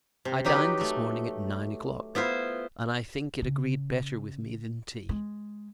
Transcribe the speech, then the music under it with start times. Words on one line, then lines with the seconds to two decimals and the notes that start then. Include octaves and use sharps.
I dined, this morning, at nine o'clock; and, I think, it agreed better with me than tea.
0.25 C3
0.45 F#3 D#4 G4 B4
0.81 A3
2.15 B3 E4 F4 C5
3.42 C#3
5.09 G#3